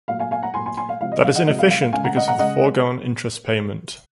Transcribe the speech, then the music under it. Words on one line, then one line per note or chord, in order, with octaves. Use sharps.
That is inefficient because of the foregone interest payment.
A#2 F#3 F5
F5 G#5
F5 G#5
F#5 A#5
A#2 F#3 G#5 C6
G#5 C6
G#5 C6
F5
C3 F3 G#3 F5
D#5
F5
D#5 F#5
C3 F3 G#3 D#5
F5
F5
F5
C#3 G#3 F5 G#5
F#5 A#5
D#5 F#5
F#5 A#5
C#3 G#3 D#5 F#5